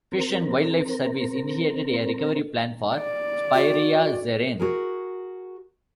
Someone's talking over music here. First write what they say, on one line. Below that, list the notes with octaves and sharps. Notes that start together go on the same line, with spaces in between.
Fish and Wildlife Service initiated a recovery plan for "Speyeria zerene".
C4 A#4
D5
F#4
F#4 G#4 A#4